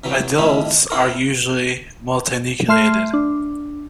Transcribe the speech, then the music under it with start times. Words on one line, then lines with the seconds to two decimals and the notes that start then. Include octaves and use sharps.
Adults are usually multinucleated.
0.04 C3 E3 F#3
0.38 F2 A2 D#3 G3 E4
0.90 C4 E4 A#4
2.68 A3 E5 C6 F6 C7
3.14 D4